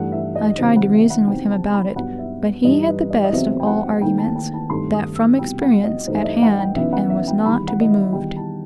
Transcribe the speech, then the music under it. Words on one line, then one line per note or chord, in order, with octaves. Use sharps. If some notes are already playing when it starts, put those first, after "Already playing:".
I tried to reason with him about it, but he had the best of all arguments, that from experience, at hand, and was not to be moved.
Already playing: G2 E3 A3 F#5
E5
D#5
C2 C3 D#3 F#3 C5
F#5
E5
F#5
E2 C3 F#3 C4 D#4 G5
A5
B5
G2 F#3 B3 F#5
E5
G2 E3 G3 D#4 D#5
B4
D#5
D#5
E2 C3 F#3 C4 E5
G5
F#5
D#2 D#3 A3 C4 D#4 G5
A5
G5
A5
G2 D#3 A3 C4 D#4 C6
D#6
E6
C2 B2 G3 G5
F#5
D#5
G2 E3 A3 D#4 C5
E5
D#5
F#5
G5
F#2 E3 B3 D#4 E5
F#5
E5
G5
E2 D#3 G3 B5
F#5
D#5
E5
E2 D#3 G3 D#4 G5
A5